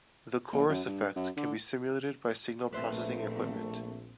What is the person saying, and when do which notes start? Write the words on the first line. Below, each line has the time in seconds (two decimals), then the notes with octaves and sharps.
The chorus effect can be simulated by signal processing equipment.
0.52 A#1
0.69 F#2
0.87 G2
1.16 F#2
1.37 D3
2.73 A#1 A#2 A3 C4 B4 C5 E5